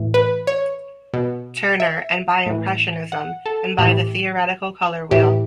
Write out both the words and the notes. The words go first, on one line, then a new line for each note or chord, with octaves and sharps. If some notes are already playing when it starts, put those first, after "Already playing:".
Turner and by impressionism, and by the theoretical colour wheel.
Already playing: A2 E3
B4
C#5
B2
E5
A2 E3
F#5
A4
A2 E3 G4
A2 E3 G4